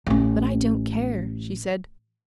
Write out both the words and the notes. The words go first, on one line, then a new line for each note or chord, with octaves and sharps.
"But I don't care!" she said.
A1 C#4